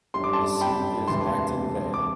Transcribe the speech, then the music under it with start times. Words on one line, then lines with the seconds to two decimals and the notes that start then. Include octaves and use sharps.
The seat is Acton Vale.
0.14 G1 F#2 D3 G3 C6
0.24 D6
0.33 A5 C6
0.61 G5 B5
1.08 E1 D2 C3 E3 A5 C6
1.94 D6